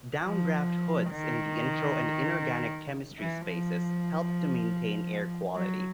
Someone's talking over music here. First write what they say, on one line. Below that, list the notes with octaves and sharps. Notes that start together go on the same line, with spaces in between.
Downdraft hoods in the intro and inorganic chemistry spaces help to maintain air quality.
F3
D#3
E3
F3
F#3